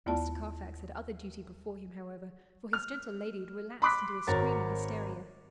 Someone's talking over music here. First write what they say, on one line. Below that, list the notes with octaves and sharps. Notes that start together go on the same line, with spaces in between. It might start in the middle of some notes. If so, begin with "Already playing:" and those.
Master Carfax had other duty before him, however, for his gentle lady had relapsed into a screaming hysteria.
D#2 B3 E4 F4 D5 A5
F6
B5 C6 D6 F#6 B6
G#1 F#4 A#4 C#5 A6